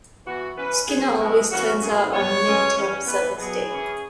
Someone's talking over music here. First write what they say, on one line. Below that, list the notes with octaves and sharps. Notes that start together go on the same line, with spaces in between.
Skinner always turns out on Mid-Term Service Day.
E3 B3 F#4
E3 C#4 B4
B2 B3 G#4
B2 G#3 B3 E4
C#3 E3 C#4 F#4
B2 F#3 C#4 G#4
B2 B3 C#5
B2 G#3 C#4
C#3 E3 C#4
E3 B3 B4
B2 F#3 B3 G#4
E3 C#4